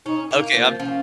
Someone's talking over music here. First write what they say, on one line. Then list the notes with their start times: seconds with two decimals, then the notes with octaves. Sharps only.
Okay. I'm I
0.06 C#4 D#4
0.30 A#3 D#4
0.54 F3 A#3
0.79 F3 C#4